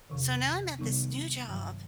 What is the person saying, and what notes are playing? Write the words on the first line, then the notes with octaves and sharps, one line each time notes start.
So now I'm at this new job,
E2 C3 D#3
C3 D#3 G3 B3 D#4
G2 D#3 F#3